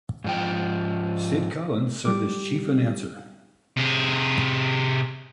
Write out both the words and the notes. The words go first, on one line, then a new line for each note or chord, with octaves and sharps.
Sid Collins served as chief announcer.
G#2 F3 G5
G3 D6 D7
C3 G#4